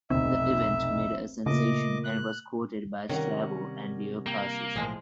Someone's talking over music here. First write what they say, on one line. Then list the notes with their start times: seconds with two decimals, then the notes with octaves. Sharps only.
The event made a sensation and was quoted by Strabo and Dio Cassius.
0.10 F1 B1 C4 E5
1.46 A#2 C#3 A3 A#3 D#5 D6
2.04 F#6
3.09 C3 D#3 G3 C#4 A#4 F#5
4.26 A#3 G5
4.76 B1 A2 F3 G#3 G#4 D#5